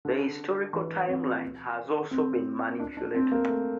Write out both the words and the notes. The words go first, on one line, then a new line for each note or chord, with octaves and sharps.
The historical timeline has also been manipulated.
D3
E3
C4
C4
D4
D4
C4
A#3
A3